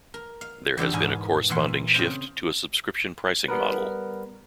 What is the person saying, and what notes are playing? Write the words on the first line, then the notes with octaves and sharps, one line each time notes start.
There has been a corresponding shift to a subscription pricing model.
A#4
F5
E2 D3 G4 A4
E2 G#2 B2 A#4 G#5
A#2 E3 A#4 F#5 B5 C6
C#3 C4 F4 C5
G3 B3 A#4 B4